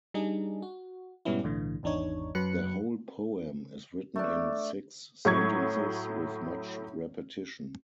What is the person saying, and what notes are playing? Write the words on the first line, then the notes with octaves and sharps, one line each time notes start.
The whole poem is written in six sentences with much repetition.
G3 D4 D#4 G#4
F#4
G#2 B2 G3 B3 C#4 E4
B1 A2 D3 E3
G#1 E2 D4 D#4 C#5
F#2 F#3 B4 F#6 C#7
A3 D4
A2 F#3 C#6 G#6